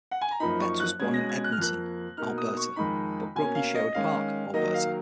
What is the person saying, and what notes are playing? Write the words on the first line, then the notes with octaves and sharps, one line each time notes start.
Betts was born in Edmonton, Alberta, but grew up in Sherwood Park, Alberta.
F#5
G#5
A#5
F#2 F3 A#3 D#4 B5
C#6
F#6
B2 G#3 C#4 G#6
A#6
G#6
F#6
F6
F2 F3 A#3 F#6
B2 A#3 D#4 F6
D#6
C#6
F2 D#3 G#3 D#4 B5
B2 A#3 C#4 G#5
F5
D#5
D#3 G#3 C#4 F5
D#3 F#3 A#3 D#5
F5